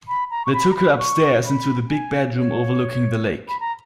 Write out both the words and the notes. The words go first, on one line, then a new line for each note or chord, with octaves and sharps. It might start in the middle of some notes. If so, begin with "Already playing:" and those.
They took her upstairs into the big bedroom overlooking the lake.
B5
A#5
C#6
B5
A#5
B5
B5
C#6
B5
G#5
C#5
B5
A#5